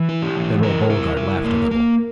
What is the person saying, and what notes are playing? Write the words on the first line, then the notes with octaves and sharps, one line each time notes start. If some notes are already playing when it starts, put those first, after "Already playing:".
General Beauregard laughed a little.
Already playing: E3
E4
G4
E3
E4 A#4
E4
E4
A#3
A#3